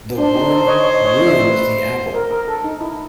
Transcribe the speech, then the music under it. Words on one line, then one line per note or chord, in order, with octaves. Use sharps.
The worm ruined the apple.
D4 C5
D#4
A4
C#5 D#5
C#5 D#5
C#5 D#5
D5 E5
B4
A#4
A#4
A4
D#4
E4